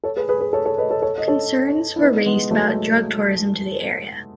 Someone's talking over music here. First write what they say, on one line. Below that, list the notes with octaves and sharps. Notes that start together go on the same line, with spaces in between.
Concerns were raised about "drug tourism" to the area.
A4 C#5
G#4 B4
G#4 B4
G#4 B4
A4 C#5
A4 C#5
B4 D#5
A4 C#5
A4 C#5
D#5
A4 C#5
E4
B3 D#4
G#3 B3
F#3 A3